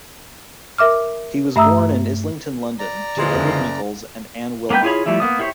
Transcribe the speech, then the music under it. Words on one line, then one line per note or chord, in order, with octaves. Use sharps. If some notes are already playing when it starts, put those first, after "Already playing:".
He was born in Islington, London to Edward Nichols and Anne Wilmot.
A#4 E5 D6 F6
G2 A3 E5 A#5 D#6 E6
D5 A#5
D#1 D3 E3 F3 G#3 G#4 C6
F#1
A#3 B3 B4 G5 G6
E4 F4 G#4 C#5 B5
F3 G3 A3 E4
A#3 B3 D#6
E4 G4 C5 C#5